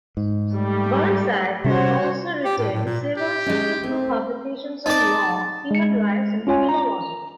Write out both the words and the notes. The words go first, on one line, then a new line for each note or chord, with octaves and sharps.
Burnside has also written several successful publications on law, human rights and philology.
G#2
G3 A3 G4
C3 G3 C#4 F#4 C5 C#5
G4
A2
A2
A#2
G4
G#3 C#4
A3 C4
D#4 D5 A5
G#3 C#7
C#4 F4 C#5 G#5
A#5